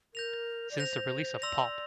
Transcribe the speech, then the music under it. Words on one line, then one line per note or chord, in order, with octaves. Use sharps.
Since the release of Pop!
A#4 G6 A#6 F7
D5
C5 G6 A#6 F7
D5 C6 E6 A#6 F7